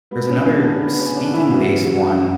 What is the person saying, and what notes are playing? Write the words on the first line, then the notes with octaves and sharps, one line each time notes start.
There's another speaking-based one,
G#2 F#3 B3
C#3 C#4
D3 D4
D3 D4
B3
C#3 C#4
D3 D4
E3 E4
F#2 C#3 E3 F#3 F#4
F#3 F#4
F#3 F#4